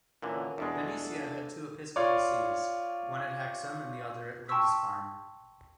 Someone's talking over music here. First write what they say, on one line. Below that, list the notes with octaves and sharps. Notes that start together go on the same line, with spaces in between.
Bernicia had two episcopal sees, one at Hexham and the other at Lindisfarne.
A#2 D3 E3 C#4 A#4
E2 B2 G#3 D4 A4
F4 C#5 D5
G5 A5 C6 C#6 E6 B6